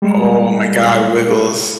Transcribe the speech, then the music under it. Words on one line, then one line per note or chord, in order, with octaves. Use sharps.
Oh my god, Wiggles.
G3 G#3